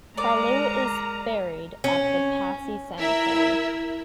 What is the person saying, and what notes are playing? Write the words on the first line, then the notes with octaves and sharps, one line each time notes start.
Carlu is buried at the Passy Cemetery.
G#3 A#4 D5 A#5 D6
C#4
E4 A#4 E5